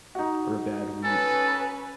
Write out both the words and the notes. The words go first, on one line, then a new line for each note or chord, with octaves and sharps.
or a bad week,
D#4 F#4
C#4 A4 B4 G#5